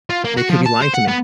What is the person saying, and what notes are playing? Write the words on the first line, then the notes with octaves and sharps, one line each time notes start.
They could be lying to me.
F4
A#3
F#4
F3
A5
C5
F#5
B3